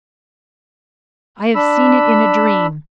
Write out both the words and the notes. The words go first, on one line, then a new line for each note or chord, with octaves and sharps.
I have seen it in a dream.
D4 B5 E6